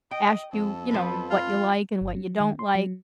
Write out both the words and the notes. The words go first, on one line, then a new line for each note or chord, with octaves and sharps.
ask you, you know, what ya like and what ya don't like.
D#5 G5
F2 A4
F3 B3 B4
F4
G1
F#3
D#3
C6
F#3